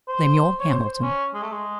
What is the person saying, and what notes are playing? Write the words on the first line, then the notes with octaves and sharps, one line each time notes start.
Lemuel Hamilton.
C5
C#5
C5
C5
C#4
G#3
A3
G#3